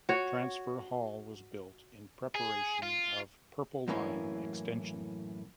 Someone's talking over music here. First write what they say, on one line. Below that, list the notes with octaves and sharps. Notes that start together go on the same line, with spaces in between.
Transfer hall was built in preparation of Purple Line extension.
F#4 C#5
G#4
F4
F#2 A2 E3 A#3 C#4